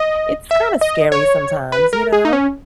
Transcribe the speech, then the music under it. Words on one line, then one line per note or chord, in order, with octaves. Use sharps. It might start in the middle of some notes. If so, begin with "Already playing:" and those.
it's kinda scary sometimes, you know,
Already playing: D#5
E5
D#5
C#5
B4
A#4
G#4
D#4
C#4